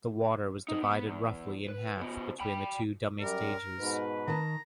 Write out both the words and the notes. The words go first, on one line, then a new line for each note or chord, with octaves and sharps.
The water was divided roughly in half between the two dummy stages.
C3 D#4
B3
E2
B4
C#3 B3
G5 B5
F#2 G3 A#4
G#2 B2 B4
D#3 A5 A#5